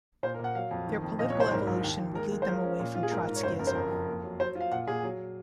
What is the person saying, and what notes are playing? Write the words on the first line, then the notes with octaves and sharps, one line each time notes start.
Their political evolution would lead them away from Trotskyism.
A#2 C5
A#4
A#2
F#5
F#3 F5
F2
D#3
F2
A#2 D#5
C#5
C2
C5
G#2 A#4
A#1
D#2
D#2
G#3 A#4
G#3
C5
F3 A#4
C#4
A#2
F4
G#4
G#2 A#4
G#2
C#5
F#1 C5
F#2 A#4
C5
F2 A#4
F2
A#3
F#3
F#3 C5
F4
F5
A#2 F#5
A#2 G#4
F#3